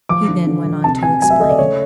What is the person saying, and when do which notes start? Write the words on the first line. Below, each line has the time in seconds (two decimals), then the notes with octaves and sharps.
He then went on to explain.
0.09 F3 D6
0.28 D3
0.47 D3
0.66 F3
0.84 C3 A5
1.03 C3 G#5
1.22 F#3 G#5
1.30 E5
1.40 A3 D#5
1.50 D5
1.59 C#3 C#5